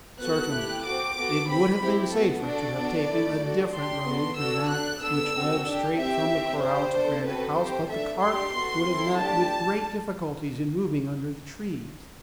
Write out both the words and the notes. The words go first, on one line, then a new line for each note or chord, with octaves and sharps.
Certainly, it would have been safer to have taken a different road than that which led straight from the corral to Granite House, but the cart would have met with great difficulties in moving under the trees.
B3 F#4 A4 F#6
A3 E4 G4
C4 F#4 A4 D6
B3 F#4 A4
C4 G4 B5
C4 E4 G4
B3 F#4 A4
D4 F#4 A4 D5
B3 D4 F#4 A4
A3 E4 A4
D4 F#4 A4
D4 G4 C6
B3 D4 F#4 A4
D4 F#4 A4 E6
D4 A4 F#6
B3 D4 A4 E6
C4 F#4 A4
D4 G4
C4 G4 E5
C4 G4
D4 G4 C5
B3 D4 A4
C4 F#4 A4 B4
C4 G4 C5
A3 D4 A4 E5
D4 G4 C6
B3 F#4 A4
C4 E4 A4
A3 D4 G4 A5